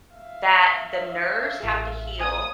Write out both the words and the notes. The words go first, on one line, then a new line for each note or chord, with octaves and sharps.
that the nerves have to heal
E5 F5
A1 G#4
G#5 D#6